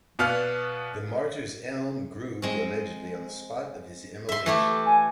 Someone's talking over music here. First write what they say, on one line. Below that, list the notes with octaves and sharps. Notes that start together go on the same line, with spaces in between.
The "Martyr's Elm" grew, allegedly, on the spot of his immolation.
B2 B3 D5 F5 F6
G#3 C4
E5 C6
E3 A3 G4
G#5